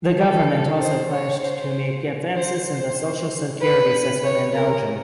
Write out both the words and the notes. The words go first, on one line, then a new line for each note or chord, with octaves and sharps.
The government also pledged to make advances in the social security system in Belgium.
A4
C5
C#5
C5
C5
C5
B4
C#5
A#4